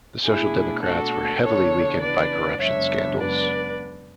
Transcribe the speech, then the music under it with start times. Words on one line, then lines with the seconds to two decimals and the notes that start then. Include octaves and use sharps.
The Social Democrats were heavily weakened by corruption scandals.
0.24 B2 A3 D4 E4 G#4
0.83 F#4 A4
1.42 C#3 E3 B3 D4 A4 C#5
2.01 B4 D5
2.59 F#2 C#3 G#3 B3 D4 C#5 E5
3.18 B4 D5